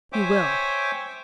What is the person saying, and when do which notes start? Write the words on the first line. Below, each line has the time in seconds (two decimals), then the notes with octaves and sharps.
"You will."
0.13 C5 C#5 E5 G5 G#5 D6